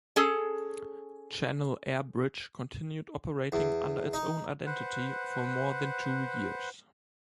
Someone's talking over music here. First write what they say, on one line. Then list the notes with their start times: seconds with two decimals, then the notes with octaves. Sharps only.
Channel Air Bridge continued operating under its own identity for more than two years.
0.16 C#4 G#4 A4
3.52 E2
4.13 D#4
4.66 B4 C5 F#5